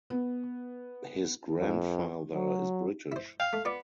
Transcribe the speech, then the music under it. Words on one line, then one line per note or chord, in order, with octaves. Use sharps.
His grandfather is British.
B3
F2
F#3
E4 C5
F5 G5
A3
B3 F4 D5 D6